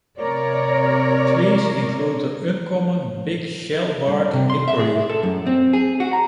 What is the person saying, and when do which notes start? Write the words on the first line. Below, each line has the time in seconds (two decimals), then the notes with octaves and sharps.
Trees include the uncommon Big Shellbark Hickory.
0.18 C3 A#4 C#5 D5
4.08 G2
4.33 C3
4.50 C6
4.68 E5
4.80 G#4
5.10 A4
5.23 F#2
5.47 C4
5.73 G#4
6.00 F#4
6.13 A#5